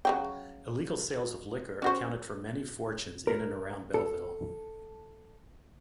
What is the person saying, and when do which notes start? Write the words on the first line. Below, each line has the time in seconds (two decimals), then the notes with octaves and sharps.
Illegal sales of liquor accounted for many fortunes in and around Belleville.
0.05 C#3 F#3 G5
1.82 C#4 F#4 C5
3.27 A#4
3.94 A4